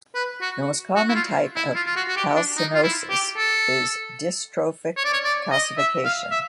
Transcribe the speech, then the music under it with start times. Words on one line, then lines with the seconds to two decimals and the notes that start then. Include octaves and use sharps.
The most common type of calcinosis is dystrophic calcification.
0.15 B4
0.41 F#4
0.96 F#4
1.09 E4
1.15 F4
1.56 E4
1.75 F4
1.87 F4
1.96 F#4
2.08 F#4
2.17 G4
2.36 D4
2.57 D#4
2.74 F4
2.84 E4
3.10 G4
3.37 A4
4.97 C#5
5.04 D5
5.13 C#5
5.24 D5
5.52 D#5
5.78 E5
6.05 F5
6.31 E5